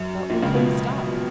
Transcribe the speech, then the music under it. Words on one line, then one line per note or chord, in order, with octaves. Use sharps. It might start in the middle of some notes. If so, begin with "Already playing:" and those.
But we couldn't stop.
Already playing: F#2
A#1 A#2
C#2 C#3
B2 B3